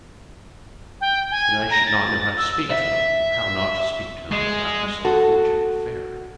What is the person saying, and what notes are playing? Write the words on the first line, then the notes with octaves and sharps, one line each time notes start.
And I should not know how to speak to him, or how not to speak to him, about this unfortunate affair.
G5
G#5
A#5
A6
E6
E5
G#3
F#4 A4